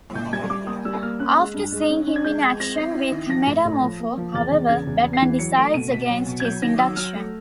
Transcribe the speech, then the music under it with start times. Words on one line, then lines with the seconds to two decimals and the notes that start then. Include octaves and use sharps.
After seeing him in action with Metamorpho, however, Batman decides against his induction.
0.15 A#2 G6
0.33 G3 G#6
0.50 G3 D6
0.67 A#3 D#6
0.85 G3 E6
1.02 A#3 F6
1.19 C#4 F#6
1.38 G#3
1.54 G2
1.72 G#3
1.90 C#4
2.07 C#4
2.16 G#6
2.24 G#3 G6
2.42 G#3 G#6
2.60 C4 A#6
2.77 C4 C7
2.94 E4
3.12 D#3
3.29 F3 A#6
3.47 A2
3.65 A2
3.82 F3
4.00 A#3
4.17 F3
4.34 E2 A6
4.52 E2
4.69 C#3 G#6
4.87 E2
5.04 E2
5.13 C7
5.22 E3
5.39 F#3 C#7
5.57 A3 D7
5.74 B2 D#7
5.91 B2 B6
6.10 F#3
6.26 B2
6.40 G#6
6.44 F#3 G6
6.62 D#3 A#6
6.79 F#3 E6
6.96 F#3 F6
7.15 A3